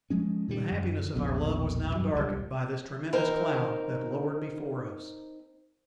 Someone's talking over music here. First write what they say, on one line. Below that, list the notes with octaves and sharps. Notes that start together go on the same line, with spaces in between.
The happiness of our love was now darkened by this tremendous cloud that lowered before us.
F3 G#3 C#4
A#2 D#3 G3
F#2
E1 A#1 B2
G2 F#3
D#1 C#2 D#3 G3
C4 D#4 A#4